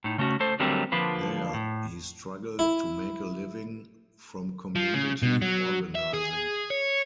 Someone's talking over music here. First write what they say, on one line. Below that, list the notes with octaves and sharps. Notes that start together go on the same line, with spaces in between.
There, he struggled to make a living from community organizing.
A2 D#4
C#3 A3 C#4 F#4
A3 A4 C5
D3 F#3 G3 A3 C4 A#4
D3 F3 A#3 F4 B4
A2
E4
F3
C#3
B2
F#3
E5
G#4
C#5